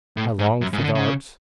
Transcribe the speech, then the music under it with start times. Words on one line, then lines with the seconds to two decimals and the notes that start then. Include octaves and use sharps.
I longed for the arts.
0.17 A2
0.39 G#2
0.61 F#2
0.73 G#2
0.78 C#3
0.84 D3
0.95 C#3